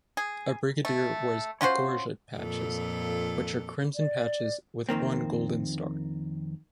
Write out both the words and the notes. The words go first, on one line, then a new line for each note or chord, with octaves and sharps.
A brigadier wears gorget patches which are crimson patches with one golden star.
G#4
A3
C#4 F4 F#4 C5
F2 A#2 A4
D5
F2 D#3 A#3 C4